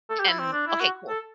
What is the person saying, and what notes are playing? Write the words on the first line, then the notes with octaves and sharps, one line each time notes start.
and okay, cool
A4
G4
E4
C4
D4
E4
F#4
A4